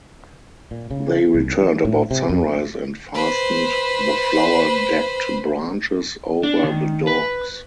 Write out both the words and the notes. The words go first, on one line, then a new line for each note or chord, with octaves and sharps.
They returned about sunrise and fastened the flower-decked branches over the doors.
A#2
C#3
C2
E3
A2
C3
F2
B4 C5
D4
D#3
B4